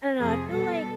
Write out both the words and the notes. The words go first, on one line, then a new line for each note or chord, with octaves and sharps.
I don't know, I feel like,
F2 C3 F3 G#4
B2 G3 B3 A4